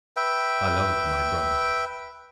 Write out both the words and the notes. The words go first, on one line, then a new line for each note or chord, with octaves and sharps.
I loved my brother.
B4 E5 G5